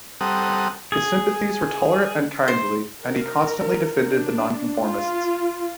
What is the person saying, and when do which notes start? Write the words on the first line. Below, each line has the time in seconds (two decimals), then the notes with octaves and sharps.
His sympathies were tolerant and kindly, and he constantly defended the Nonconformists.
0.21 G3 C4 A4 F#5 A#5 D#6
0.92 G#4
2.48 C5
3.03 A#4
4.10 D4
4.79 F4